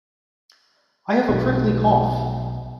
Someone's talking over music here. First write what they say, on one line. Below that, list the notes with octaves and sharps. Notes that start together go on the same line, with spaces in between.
I have a prickly cough.
B1